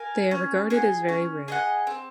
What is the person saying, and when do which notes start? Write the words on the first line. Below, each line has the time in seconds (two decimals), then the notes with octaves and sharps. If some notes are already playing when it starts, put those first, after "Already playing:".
They are regarded as very rare.
Already playing: A#4 F5 G#5
0.31 C#4
0.70 G#4 D#5 F#5
1.09 C#4
1.48 G#4 D#5 F#5
1.87 C4